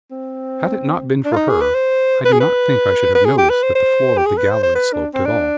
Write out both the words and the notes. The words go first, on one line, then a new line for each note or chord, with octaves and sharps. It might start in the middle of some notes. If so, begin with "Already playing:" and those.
Had it not been for her I do not think I should have noticed that the floor of the gallery sloped at all.
C4
D4
F4
D#4
G#4
B4
C5
B4
G#4
B4
B4
G#4
G4
B4
C5
C5
G4
G#4
B4
C5
C5
B4
D4
C4
D4